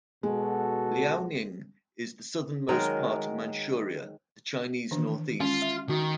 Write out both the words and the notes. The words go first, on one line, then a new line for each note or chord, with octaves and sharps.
Liaoning is the southernmost part of Manchuria, the Chinese Northeast.
B2 G#3 F#4 A4
D#3 F#3 G#3 A#4
D#3 E3 D4
G#3 C#4 F4
E5
D#3 F#4